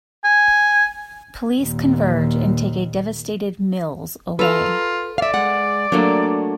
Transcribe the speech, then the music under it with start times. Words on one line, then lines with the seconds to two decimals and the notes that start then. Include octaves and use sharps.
Police converge and take a devastated Mills away.
0.24 G#5
1.59 D#2 A#2
4.39 F4 A4 B4 A#5 B5
5.18 D5 E5 F5
5.34 G#3 F#5
5.92 F#3 A3 A#3 D4